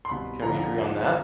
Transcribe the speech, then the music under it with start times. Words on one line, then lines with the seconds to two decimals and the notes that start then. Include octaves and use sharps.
Can we agree on that?
0.05 C6
0.09 C2 B2 B5
0.42 F2 D3 F3 A#5
0.60 A#5